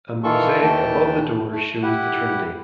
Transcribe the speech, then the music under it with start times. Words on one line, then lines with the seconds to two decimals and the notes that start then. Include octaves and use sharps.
A mosaic above the door shows the Trinity.
0.24 D#3 E3 F4 A4 C#6
0.61 D#2 E3 A3 G5 A5
1.52 A3
1.83 E4 G4 F#5